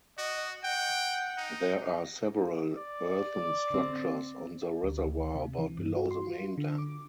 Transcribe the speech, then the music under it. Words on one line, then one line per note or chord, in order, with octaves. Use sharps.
There are several earthen structures on the reservoir about below the main dam.
F#4 D#5
F#5 G5
D#4
D5
D3 C4
D2
C3
E3
G2
F#4
C6
F4
D3
D6